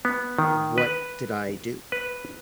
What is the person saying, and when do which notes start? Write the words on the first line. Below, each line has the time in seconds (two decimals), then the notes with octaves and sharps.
what did I do?
0.05 B3
0.39 D#3
0.78 B4
1.92 B4